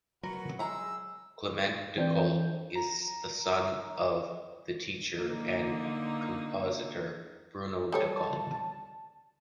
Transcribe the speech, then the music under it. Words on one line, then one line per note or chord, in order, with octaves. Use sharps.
Clément Ducol is the son of the teacher and compositor Bruno Ducol.
F#3 F#4 A#4 B4 F#5
G#3 G#5 A#5 B5 E6
E3 C4 D4 G6
A#5
D3 A#3 D#4
G3 A4 C#5 A5